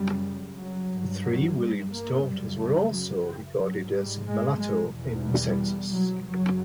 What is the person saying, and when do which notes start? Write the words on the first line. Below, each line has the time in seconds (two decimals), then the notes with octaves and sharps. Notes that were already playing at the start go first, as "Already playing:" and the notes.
The three Williams daughters were also recorded as Mulatto in the Census.
Already playing: F#2 C#3 G3
0.56 F#3
0.89 G2
1.23 F#3
1.58 G3
1.91 A#3
2.23 F#2 C#3 G3
2.58 G3
2.91 F#3
3.58 G#2 F#3
3.91 G3
4.25 G#3
4.59 G#3
4.92 E2 B2
5.26 G3
5.92 F#3
6.26 F#2 C#3 F#3